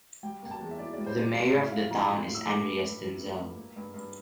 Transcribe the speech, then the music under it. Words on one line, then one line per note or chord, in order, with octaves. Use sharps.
The mayor of the town is Andreas Denzel.
G3 G5
A#3 G5
A5
E2
E5
E3 D5
D5
G3
C5
A#3
D5
A3 F5
A2 E5
A2 F5
F3 A#5
A3
C6
A2
E6
A3 D6
G2
G2
F3
A3
G2
A#3
G2
G2